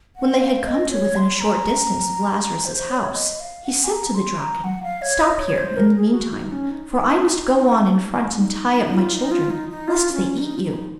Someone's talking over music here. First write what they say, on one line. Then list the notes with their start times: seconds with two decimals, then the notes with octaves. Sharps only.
When they had come to within a short; distance of Lazarus's house, he said to the Draken: 'Stop here, in the meantime, for I must go on in front and tie up my children, lest they eat you.'
0.16 F#5
0.41 F5
0.66 D#5
0.91 C#5
1.16 C6
1.40 A#5
2.40 A#5
2.65 C5
2.90 C#5
3.15 D#5
3.40 F5
3.65 F#5
3.84 G#5
3.89 A#5
4.15 C6
4.39 A#5
4.64 F#5
4.83 F5
5.02 C#5
5.20 D#5
5.39 C#5
5.58 C5
5.77 A#4
5.96 G#4
6.14 F#4
6.33 D#4
6.51 C#4
6.70 D#4
6.89 D#4
8.38 D#4
8.75 D#4
8.95 F4
9.13 D#4
9.31 F4
9.50 D#4
9.69 D#4
9.88 F4
10.13 C#4
10.37 D#4
10.57 F4
10.62 D#4